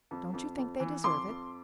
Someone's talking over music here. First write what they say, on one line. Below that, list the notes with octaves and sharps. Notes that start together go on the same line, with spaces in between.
Don't you think they deserve it?
F2
F2
F2
E3
F2 C6 D6
F2